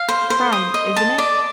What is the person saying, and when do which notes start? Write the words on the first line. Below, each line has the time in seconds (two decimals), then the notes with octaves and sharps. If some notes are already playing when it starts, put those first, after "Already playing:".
Prime, isn't it?
Already playing: F5
0.09 C5
0.30 C5
0.52 D#6
0.74 D#5
0.96 A5
1.18 D5